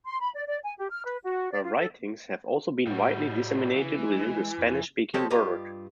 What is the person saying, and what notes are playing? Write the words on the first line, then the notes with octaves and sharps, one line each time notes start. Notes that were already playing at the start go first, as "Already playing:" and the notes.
Her writings have also been widely disseminated within the Spanish-speaking world.
C6
B5
D5
D5
G#5
G4
F6
B4
F#4
D5
F4
A4
A2 G3 F#4
C#3 E3
G#3
F2
F3 G#3 C4 G4 A4 C#5
G2 F4 G4 D#5 A#5